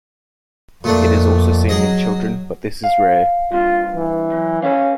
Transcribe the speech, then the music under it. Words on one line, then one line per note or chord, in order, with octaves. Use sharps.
It is also seen in children, but this is rare.
F2 A#2 A3 D4
F#3 G#4 D#5
F5
G2 C3 F4
E3
F#3
C#4 A4 B4 F5